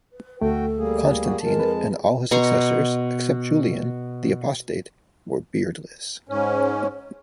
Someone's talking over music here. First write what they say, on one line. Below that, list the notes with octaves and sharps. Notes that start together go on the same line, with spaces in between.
Constantine and all his successors, except Julian the Apostate, were beardless.
B4
D2 A3 F#4 A4 G5
G3 A#3 G#4
F#4
F2 G#3 A#4 A5
B4
B2 A#5 C6 C#6
G#2 C#4